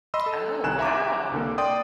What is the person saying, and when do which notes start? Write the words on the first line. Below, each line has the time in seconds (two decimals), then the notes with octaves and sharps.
Oh, wow.
0.14 D#5 B5 C6 E6
0.26 A4
0.64 C2 D#3 G#5 A#5 F#6 E7
0.79 E5 A#5 D6
1.32 C2 D3 A#3
1.58 D5 G5 C6 D#6